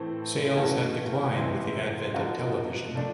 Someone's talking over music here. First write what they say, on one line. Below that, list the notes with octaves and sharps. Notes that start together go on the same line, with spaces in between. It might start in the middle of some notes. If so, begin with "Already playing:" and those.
Sales had declined with the advent of television.
Already playing: A2 E3 A3 C4
G2 E3 A3 C#4 F#4
C3 E3 G#3
D3 F3 A#3 D#4 F#4
F3 A3 D4